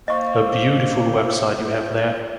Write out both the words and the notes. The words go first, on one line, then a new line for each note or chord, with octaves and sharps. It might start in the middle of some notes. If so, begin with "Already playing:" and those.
A beautiful website you have there.
A#3 C5 D#5 C#6